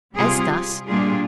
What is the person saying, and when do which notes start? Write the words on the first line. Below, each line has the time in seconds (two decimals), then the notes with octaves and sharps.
As thus.
0.16 C3 G3 C4 F4 G#4
0.87 A#2 G3 D4 F4 G#4